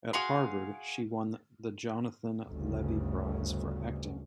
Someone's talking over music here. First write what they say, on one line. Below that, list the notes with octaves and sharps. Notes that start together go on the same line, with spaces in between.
At Harvard, she won the Jonathan Levy Prize for acting.
F#4 G#4 F5 C6
G1 D2 C#3